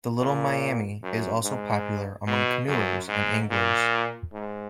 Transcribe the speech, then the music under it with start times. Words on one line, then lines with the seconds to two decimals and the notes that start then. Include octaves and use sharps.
The Little Miami is also popular among canoers and anglers.
0.20 A#2
1.03 F#2
1.44 G#2
2.27 B2
2.68 F#2
3.09 G#2
3.51 A#2
4.33 G#2